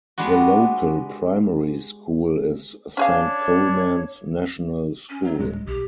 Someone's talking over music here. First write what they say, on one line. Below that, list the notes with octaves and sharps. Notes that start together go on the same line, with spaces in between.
The local primary school is Saint Colman's National School.
G3 G#3 B3 D4 F#4
C#4 D4 G#4 C#5 F5
C#4
F#3
D1 G3 G#3 D4
B1 G4